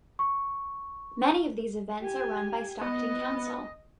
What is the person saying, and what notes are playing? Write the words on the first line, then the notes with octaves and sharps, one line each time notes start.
Many of these events are run by Stockton Council.
C#6
G4 G#5
B3 D#5